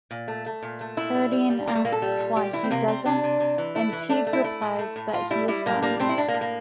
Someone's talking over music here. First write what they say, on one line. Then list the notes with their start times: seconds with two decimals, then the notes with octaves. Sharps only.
Paradine asks why he doesn't, and Teague replies that he is dying.
0.11 A#2
0.28 A3
0.46 A3
0.63 A#2
0.81 A3
0.97 A#2 E4
1.14 G3
1.32 G3
1.50 G3
1.67 G3 A#3
1.75 A3
1.85 A#2 A#3
1.92 A4
2.02 G3
2.19 A#2
2.36 G3 G4
2.53 E3 E4
2.64 C4
2.71 C3 A#3
2.88 G3 C4
3.06 C3 D4
3.23 C3
3.40 C3
3.58 E3
3.75 A3 E4
3.92 E3
4.09 A3 D4
4.27 A3
4.33 E4
4.44 A3 E4
4.62 A2
4.79 A3
4.96 A2
5.13 A2 F4
5.30 G3 E4
5.48 G3 E4
5.66 A2 A#3
5.82 G3 A#3
6.00 A2 C4
6.09 E4
6.17 A2 D4
6.28 A#3
6.34 A2
6.41 A#3